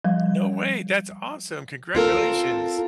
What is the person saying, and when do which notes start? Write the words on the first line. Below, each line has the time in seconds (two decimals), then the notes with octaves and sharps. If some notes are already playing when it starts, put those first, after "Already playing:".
No way, that's awesome. Congratulations.
0.05 F3 G3
1.95 C4 F4 A4 A#4